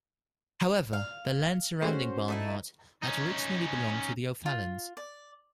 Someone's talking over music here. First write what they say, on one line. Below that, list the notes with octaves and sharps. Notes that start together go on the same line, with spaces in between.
However, the land surrounding Barnhart had originally belonged to the O'Fallons.
F5
A2 G3 G#3 C#4 F#4 C5
A3 D#4 E4
C#4 D#4
F4
D5